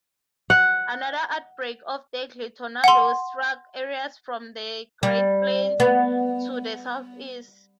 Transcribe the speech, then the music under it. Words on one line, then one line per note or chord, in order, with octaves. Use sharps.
Another outbreak of deadly tornadoes struck areas from the Great Plains to the Southeast.
F#5
F#5 C6
G3
B3